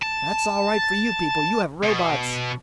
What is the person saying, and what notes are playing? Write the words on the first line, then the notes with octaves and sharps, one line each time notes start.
"That's all right for you people, you have robots...."
A5
B2